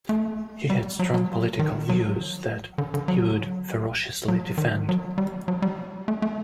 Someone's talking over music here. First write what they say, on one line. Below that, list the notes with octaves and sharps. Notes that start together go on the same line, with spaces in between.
He had strong political views that he would ferociously defend.
A3
G3
F#3
F#3
D#3
F#3
D3
D3
F#3
F#3
D#3
F#3
G3
F#3
G3
A3
A3